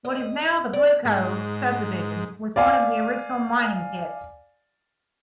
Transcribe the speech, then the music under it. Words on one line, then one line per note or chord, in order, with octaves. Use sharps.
What is now the 'Blue Cove' subdivision, was one of the original mining pits.
D#5
D5
G#2
D5 F5 G#5